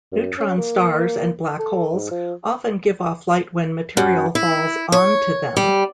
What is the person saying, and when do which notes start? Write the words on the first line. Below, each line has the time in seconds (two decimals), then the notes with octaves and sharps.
Neutron stars and black holes often give off light when material falls onto them.
0.12 F#2
0.38 C#4
0.57 A#3
1.59 A4
1.94 G#2
2.11 F3
3.97 F#2
4.35 E4
4.92 C#5
5.57 G3